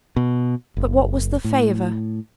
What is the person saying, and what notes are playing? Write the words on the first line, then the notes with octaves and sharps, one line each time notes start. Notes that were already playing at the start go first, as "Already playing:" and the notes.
But what was the favour?
B2
F#1
A2